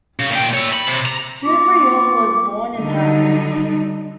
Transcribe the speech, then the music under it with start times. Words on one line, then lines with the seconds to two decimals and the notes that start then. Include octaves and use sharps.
Dubreuil was born in Paris.
0.19 C#3
0.31 A#2 G5
0.54 C#5 E5
0.73 B5
0.87 C3
1.05 A#5
1.45 A#3 F4 C#6 D6
2.75 D3 F#3 G3 D#4